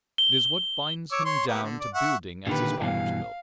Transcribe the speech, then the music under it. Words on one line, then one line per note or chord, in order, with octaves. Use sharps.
It is what binds him down to building as his fathers built.
G7
C#5 D6 E6
C#5 C6
A#3 B3 G4
D3
D5
E5 F#5 C#6
A#2 D3 D#3 G4 B4
G2 B2 E3 F5